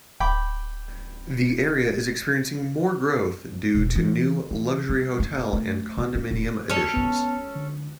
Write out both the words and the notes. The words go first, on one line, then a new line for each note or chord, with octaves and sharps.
The area is experiencing more growth due to new luxury hotel and condominium additions.
D1 G5 B5 D6
E1
E3
E3
G3
A#3
A3
B2
C#4
D#1
C#4 A4 C#5
B3
D3